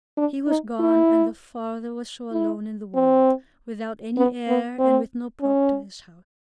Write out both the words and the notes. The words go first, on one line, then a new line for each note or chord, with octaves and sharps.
He was gone, and the father was so alone in the world, without any heir and with no prop to his house.
D4
D#4
E4
E4
C4
B3
B3
C4
C#4